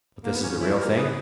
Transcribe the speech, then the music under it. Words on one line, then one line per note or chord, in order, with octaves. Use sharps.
"But this is the real thing?"
A#3
B3
D#2 A#3 C#4
C#4 E4
D#3 G3 A#3 G4 A#4
G#4 B4